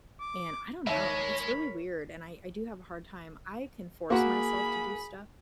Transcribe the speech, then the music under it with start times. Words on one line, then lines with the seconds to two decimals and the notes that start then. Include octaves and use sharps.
and I dunno, it's really weird and I I do have a hard time. I can force myself to do stuff,
0.20 D6
0.87 D#2 G#3 A#4 C#5 E5 B5
4.10 A#3 F#4 G#4 B5